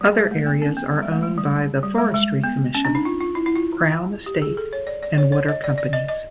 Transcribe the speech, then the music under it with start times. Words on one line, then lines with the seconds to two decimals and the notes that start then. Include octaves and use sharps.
Other areas are owned by the Forestry Commission, Crown Estate and Water Companies.
0.01 G3
0.17 G#3
0.31 A3
0.46 B3
0.62 C#4
0.77 B3
0.92 G3
1.03 G#3
1.12 A3
1.23 G#3
1.38 G3
1.83 G3
1.98 G#3
2.14 G#3
2.44 B3
2.75 C#4
2.85 D4
2.95 D#4
3.05 F4
3.21 F4
3.35 E4
3.46 E4
3.56 F4
4.26 G4
4.42 G#4
4.57 A4
4.73 C#5
4.87 D5
5.03 D5
5.18 C#5
5.32 C#5
5.48 D#5
5.64 D5
5.78 D5
5.93 D#5
6.08 D#5